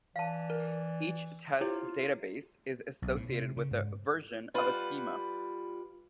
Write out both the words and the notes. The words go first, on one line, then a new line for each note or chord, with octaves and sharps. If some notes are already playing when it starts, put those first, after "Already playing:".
Each Test Database is associated with a "version" of a Schema.
E3 D5 F5 A5
A#4
E4 F4 G4 C5 C#5
B1
A2
C3
C#3
G#2
G3 F4 B4 F#5